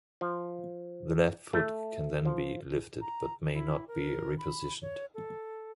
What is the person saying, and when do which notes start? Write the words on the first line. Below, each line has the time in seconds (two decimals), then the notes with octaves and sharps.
The left foot can then be lifted, but may not be repositioned.
0.21 F3
1.53 A3
2.25 F3
3.01 A#5
3.53 E4
3.88 A#4
4.38 B5
4.82 C#5
5.14 A4